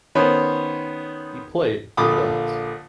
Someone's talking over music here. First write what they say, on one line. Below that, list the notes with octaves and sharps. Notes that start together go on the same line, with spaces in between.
He played for Duns.
D#3 B3 C#4 C5 C#5
A#1 D3 F4 B5 D6 D#6